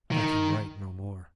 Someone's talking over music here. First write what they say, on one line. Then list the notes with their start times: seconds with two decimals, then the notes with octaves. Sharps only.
I can write no more.
0.12 D#3